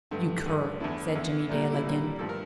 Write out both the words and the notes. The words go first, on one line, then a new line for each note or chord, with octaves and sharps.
"You cur!" said Jimmie Dale again.
G2 D3 A3
G2 D3 A3
E2 D3 A3 E4
E2 D3 A3
A#2 G3 A#3 D4
D4
E4
A#2 G3 A#3
G2 F3 A3 A4
A#4